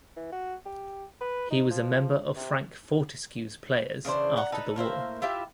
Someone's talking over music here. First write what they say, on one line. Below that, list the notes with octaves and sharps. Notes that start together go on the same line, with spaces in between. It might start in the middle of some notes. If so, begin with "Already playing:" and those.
He was a member of Frank Fortesque's Players after the war.
E3
F#4
G4
B4
D#4
F3
C3
C#3 E3 D4 C5
F#5 A#5
D#4 A4 B4
A2 A#3 C5 E5
E4 F4 G4 E5